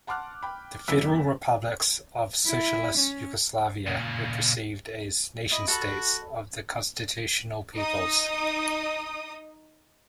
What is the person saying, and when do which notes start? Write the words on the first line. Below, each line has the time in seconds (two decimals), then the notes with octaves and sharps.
The federal republics of Socialist Yugoslavia were perceived as nation-states of the constitutional peoples.
0.07 F#5 A5 C6 D6 F6 F#6
0.43 G5 B5
0.88 F#1 E2 D4 E4 E6 B6
2.46 E4
2.99 C#4
3.87 A#2 C#3
5.51 E4 D#5 B5
5.68 F#4 A4 A5 B5
7.75 D#4 D#6